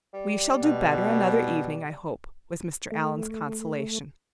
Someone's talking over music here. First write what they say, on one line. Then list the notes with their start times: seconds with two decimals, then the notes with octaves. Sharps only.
"We shall do better another evening I hope," was Mr. Allen's consolation.
0.14 G3
0.63 B2
2.92 A3